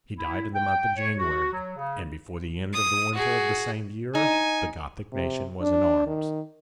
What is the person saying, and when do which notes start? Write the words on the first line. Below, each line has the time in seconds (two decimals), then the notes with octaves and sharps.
He died in the month of January; and before the end of the winter of the same year, the Gothic nation was in arms.
0.17 E4
0.55 G5
0.97 C#5
1.18 F#4
1.52 F#3
1.76 C#3
2.73 D#6
3.13 F#4 G#4
4.15 D#4 G#5
5.13 C3
5.62 D4
6.07 D#3